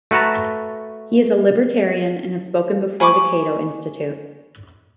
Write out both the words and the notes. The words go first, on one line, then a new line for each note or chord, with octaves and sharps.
He is a libertarian and has spoken before the Cato Institute.
A3 F#4 B4 A5 A#5
G#5 B5 C#6 D6